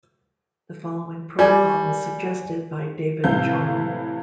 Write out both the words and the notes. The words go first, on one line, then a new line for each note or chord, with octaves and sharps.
The following protocol was suggested by David Chaum.
G3 D5 G#5
A2 C3 E3 A4 F5 G6